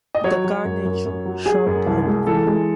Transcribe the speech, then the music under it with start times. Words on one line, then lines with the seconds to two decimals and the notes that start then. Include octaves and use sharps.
The carnage shocked him.
0.15 D#5
0.24 F#3 C#5
0.44 F#3
0.65 F#2
0.85 F#2
1.05 F#2
1.25 F#3
1.46 F#3 G#4
1.66 F#2
1.86 C2
2.07 G#3
2.27 E3 A4
2.47 G#3